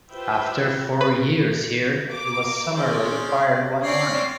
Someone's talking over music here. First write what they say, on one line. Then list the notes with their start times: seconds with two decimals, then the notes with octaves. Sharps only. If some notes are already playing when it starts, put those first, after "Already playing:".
After four years here, he was summarily fired one morning.
0.11 F4 G4 B4 C5 E5 G5
1.01 B4
2.07 A#3 D6
2.75 G#3 C#4 C5 D5
3.82 C4 C#4 C#5 D5 C6 C7